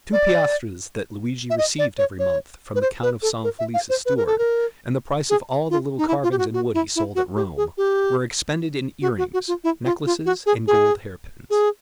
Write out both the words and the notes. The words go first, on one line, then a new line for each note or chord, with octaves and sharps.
The two piastres that Luigi received every month from the Count of San-Felice's steward, and the price of all the little carvings in wood he sold at Rome, were expended in ear-rings, necklaces, and gold hairpins.
D5
E5
D#5
D5
C#5
C#5
B4
C5
B4
A4
A#4
E5
F5
C5
B4
A#4
A4
A#4
G#4
F4
D#4
E4
F4
G4
F#4
F#4
E4
E4
F#4
G4
G#4
G4
F#4
F#4
F#4
F4
E4
F4
F4
F#4
G#4
G#4
G#4